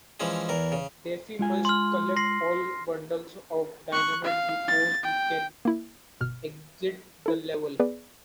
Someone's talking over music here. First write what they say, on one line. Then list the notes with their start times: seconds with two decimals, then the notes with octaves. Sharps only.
Daffy must collect all bundles of dynamite before he can exit the level.
0.20 E3 F3 G#3 C#4
0.49 E2 E3 A#4
0.72 C#3
1.39 G#3 F4 G#5
1.65 C6 F6
2.16 C6 A#6 C7
3.92 C#6 F#6
4.24 F5
4.68 A6
5.03 G5
5.65 A#3 E4
6.20 G1 B2 F6
7.26 E4 A4
7.80 B3 G#4 B4 D5